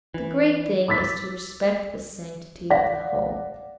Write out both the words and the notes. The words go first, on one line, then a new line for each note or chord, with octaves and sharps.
The great thing is to respect the sanctity of the home.
E3
D6 E6 A6 B6
D5 F5 F#5 A#6 B6